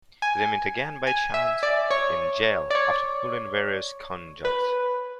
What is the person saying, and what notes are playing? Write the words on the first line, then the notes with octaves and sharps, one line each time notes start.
They meet again by chance in jail after pulling various con jobs.
G#5
G#5
E5
D5
C#5
D5
C#5
B4